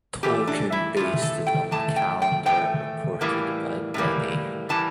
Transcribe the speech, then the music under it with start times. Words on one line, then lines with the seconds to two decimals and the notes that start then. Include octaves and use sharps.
Tolkien based it on the calendar reported by Bede.
0.23 A2 E3 A3 G4
0.47 D4
0.72 E4
0.97 A2 E3 A3 F4
1.22 A4
1.47 G5
1.71 A2 E3 A3 A5
1.96 G5
2.22 G5
2.46 A2 E3 A3 G5
3.21 A2 E3 G3 A#3
3.94 A2 E3 G3 A#3
4.69 A2 E3 G3 A#3 A5